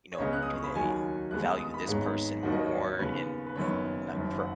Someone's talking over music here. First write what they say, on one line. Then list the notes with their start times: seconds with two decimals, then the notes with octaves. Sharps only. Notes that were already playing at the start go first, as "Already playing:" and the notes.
you know do they value this person more and, eh, not per
0.12 C#5
0.18 C#2 C#3 B3 D#5
0.33 F#6
0.42 D#6
0.54 C#6
0.64 B5
0.75 D#2 D#3 F#3 G#5
1.31 D#2 D#3 G#3 B3 F#6
1.46 D#6
1.59 D#6
1.74 B5
1.87 G#1 G#2 G#3 B3 C#5
2.43 D#2 D#3 F#3 F#5
2.52 D#5
2.61 C#5
2.69 D#5
2.99 D#2 C#3 B3 B4
3.47 B4
3.56 F#1 F#2 D#3 B3 C#5
4.12 F#1 F#2 D#3
4.39 F#5